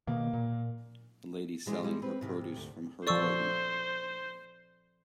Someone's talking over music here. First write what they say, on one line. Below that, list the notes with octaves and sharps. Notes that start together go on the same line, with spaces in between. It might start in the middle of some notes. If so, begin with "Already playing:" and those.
A lady selling her produce from her garden.
B2 D#3 A#3
A#2
E3 G#3 D4
G3 G#3
C4 B4
G#2 C3 D#3
D2
F3 A4 C5 D5 C#6 E6